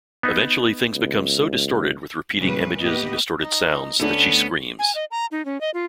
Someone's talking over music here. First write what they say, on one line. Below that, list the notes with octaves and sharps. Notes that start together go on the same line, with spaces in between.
Eventually things become so distorted with repeating images and disorted sounds that she screams.
B3 D#4
C#2
E2 A#2 C#3 G3 B4
A2 A#3 B3 G4 B4 D#5
D#4
D2 A3 B3 C#4 D4
G#5
D#5
A#5
D#4
C#4
D#5
F4